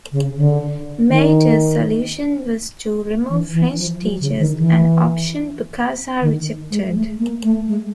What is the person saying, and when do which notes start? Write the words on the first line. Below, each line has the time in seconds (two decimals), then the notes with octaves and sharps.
Maidou's solution was to remove French teachers, an option Bokassa rejected.
0.12 C#3
0.36 D3
1.09 D#3
3.29 E3
3.53 E3
3.78 F3
4.02 F#3
4.20 C#3
4.39 D#3
4.57 E3
6.21 D#3
6.71 G#3
6.94 A3
7.19 A#3
7.43 A3
7.68 G#3